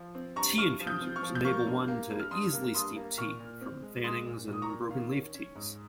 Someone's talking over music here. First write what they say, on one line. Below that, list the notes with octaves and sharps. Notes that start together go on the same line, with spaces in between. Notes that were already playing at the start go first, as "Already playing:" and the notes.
Tea infusers enable one to easily steep tea from fannings and broken leaf teas.
Already playing: F3
C4
G2 A#5 C#6
G2 C#6 F6
F3
D#6 G6
C4
C#6 F6
F3
G6
A#3 C#6 F6
G2
A#3
G2
F6
G2 C6 D#6
A#3
G2 C6 D#6
A#3
A#2 C#6 F6
A#2
C4
G#3
G#3 C6 D#6
A#2
A#2 D#6
A#5 C#6
A#2
D#3 F5
C#4
C#4
G#2